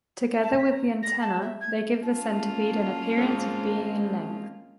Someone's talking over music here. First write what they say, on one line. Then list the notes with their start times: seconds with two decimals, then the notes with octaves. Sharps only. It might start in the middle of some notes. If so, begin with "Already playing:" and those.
Together with the antennae they give the centipede an appearance of being in length.
0.43 A5
0.57 B6
0.71 A#5
1.02 A#6
1.20 A5
1.42 E5
1.61 G#6
2.03 A#3 C#4 F4 A5
3.18 G#3 C4